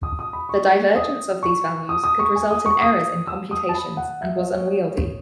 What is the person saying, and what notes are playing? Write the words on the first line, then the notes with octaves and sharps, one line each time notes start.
The divergence of these values could result in errors in computations, and was unwieldy.
D#6
D#6
B5
C#6
D#6
C#6
D#6
D#6
C#6
G#5
D#6
C#6
D#6
E6
D#6
A5
B5
F#5
E5
D#5
C#5